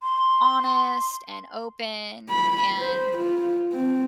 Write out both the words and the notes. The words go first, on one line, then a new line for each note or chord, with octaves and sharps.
honest and open and
C6
B5
C5
F4
C4